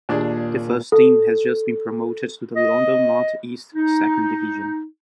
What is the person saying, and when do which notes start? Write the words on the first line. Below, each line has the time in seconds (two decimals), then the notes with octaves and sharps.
The First Team has just been promoted to the London North East Second Division.
0.09 D#2 A#2 D4 G#4
0.92 A4
2.57 D#5
3.75 D#4